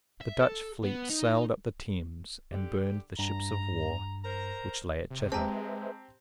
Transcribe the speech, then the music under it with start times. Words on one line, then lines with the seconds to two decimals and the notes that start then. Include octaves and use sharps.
The Dutch fleet sailed up the Thames, and burned the ships of war which lay at Chatham.
0.21 E5
0.40 A4
0.83 B3
1.10 D#4
2.53 D3 G4
3.19 G2 A#5
4.24 A#4 C5 A#5
5.10 C3
5.32 G#3 C4 G4 B4 C5 E5 A5 A#5